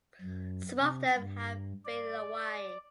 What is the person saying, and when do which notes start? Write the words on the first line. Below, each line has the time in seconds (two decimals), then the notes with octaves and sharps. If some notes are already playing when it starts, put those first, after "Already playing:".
Some of them have faded away.
0.22 F#2
0.78 C3
1.17 G2
1.85 D5